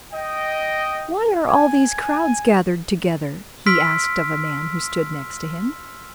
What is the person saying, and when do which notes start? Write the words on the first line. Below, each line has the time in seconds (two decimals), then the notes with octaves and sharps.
'Why are all these crowds gathered together?' he asked of a man who stood next him.
0.12 D#5 G5
1.48 G#5
3.66 C6 E6 F6 B6 D7